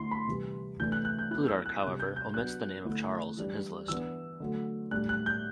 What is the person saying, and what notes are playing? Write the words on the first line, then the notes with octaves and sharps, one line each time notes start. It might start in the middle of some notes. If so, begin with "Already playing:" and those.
Plutarch, however, omits the name of Chares in his list.
Already playing: D3 A3 E4 C6
B5
C3 E3 G3
C3 E3 A3 D4 G6
F#6
F#6
G6
F#3 B3 E4 F#6
E6
F#6
C3 G3 D4 F#6
G6
G6
F#3 B3 D4 F#6
D3 A3 E4
E3 G3 D4
E3 B3 D4 E6
D3 F#3 A3
A2 G3 D4 F#6
F#6
G6